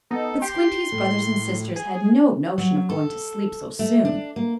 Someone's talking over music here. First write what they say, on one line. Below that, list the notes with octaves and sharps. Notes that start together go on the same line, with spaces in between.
But Squinty's brothers and sisters had no notion of going to sleep so soon.
B3 D#4 A4
G4 G5 C6
A2
G#4
F#3
A4
A3
D4
A#3